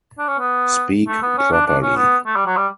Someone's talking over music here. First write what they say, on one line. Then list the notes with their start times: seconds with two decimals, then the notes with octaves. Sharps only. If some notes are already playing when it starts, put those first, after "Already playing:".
Speak properly.
0.19 D4
0.28 C#4
0.39 B3
1.07 A3
1.22 B3
1.38 C#4
1.52 D4
1.66 D4
1.82 C#4
1.96 B3
2.26 A3
2.36 G3
2.46 F#3
2.56 G3